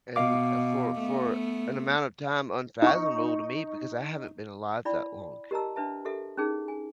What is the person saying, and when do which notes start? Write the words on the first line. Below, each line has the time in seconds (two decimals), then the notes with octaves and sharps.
and, uh, for for an amount of time unfathomable to me because I haven't been alive that long,
0.16 B2 D#5 F5 D6
0.99 A3 B3
2.82 D#4 C#6
4.85 E4 D5 G5 B5
5.51 G4 A#4 D#5 A5 A#5 E6
5.76 D4 B4 E5 A5
6.05 G4 A4 A#4 E5
6.37 C#4 D#4 G#4 A#4
6.68 G#5